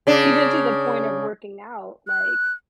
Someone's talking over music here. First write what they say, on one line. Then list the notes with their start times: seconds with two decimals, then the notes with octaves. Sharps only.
Even to the point of working out, like
0.07 C#3 D4
2.08 F#6